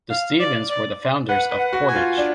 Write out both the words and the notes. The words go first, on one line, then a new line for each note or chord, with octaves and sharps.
The Stevens were the founders of Portage.
F5
D5
D5
B4 F#5
B4
F#5
F#4
G#5
F4
D4